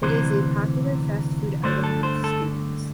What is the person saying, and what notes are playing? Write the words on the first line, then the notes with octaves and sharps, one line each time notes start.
It is a popular fast food item with students.
D2 C3 E3 C5
G2 D3 A3 D4 C5
A4
C5
A4